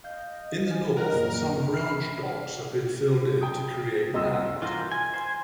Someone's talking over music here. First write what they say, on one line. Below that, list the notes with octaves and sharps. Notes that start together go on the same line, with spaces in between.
In the north, some branch docks have been filled in to create land.
D#5 F5 G6
G#5
A#4 D#5 A#5 F6 F#6
F#2 A#2
F6 C7
G5 D#6
F1 C2 D#5 C6 E6
E3 F4 F#4 A#4 C5
G#5
C5 G#5